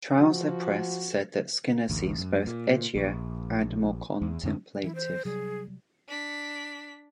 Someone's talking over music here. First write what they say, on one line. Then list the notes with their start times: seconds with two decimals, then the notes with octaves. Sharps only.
Trouser Press said that Skinner seems both edgier and more contemplative.
0.18 F3 F#4
1.90 A1 D2
2.18 F#2
2.47 A#2
2.95 A#1
4.22 E2
4.43 F2 D3 B3 C#4
4.84 E3 E4
4.95 C5
5.25 C3 F#3 G3 G#4
6.09 D4 B6